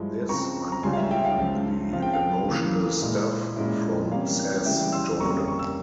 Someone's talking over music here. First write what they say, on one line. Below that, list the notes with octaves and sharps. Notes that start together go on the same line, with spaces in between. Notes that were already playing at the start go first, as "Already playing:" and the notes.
This unbelievably emotional stuff, from Sass Jordan.
Already playing: G2 F3 G#3 E4
C#3 F3 C4 A#5 C#6
A#5
C#2 C#3 G3 C#4 F4 G#5 C6
F5
E5
E5 G5
F5
C#2 C#3 F3
C#3 F3 C4 F4 F5
G5
F5
C#3 E3 A#3
A#2 G#3 E4
A#2 G#3 C#4 E4
C3 E3 G3 A#3 C#4 F5
C#3 E3 G3 E5 G5
C6 E6
F2 C#3 G3 A#3 C#4 A#5 C#6
C#6
E6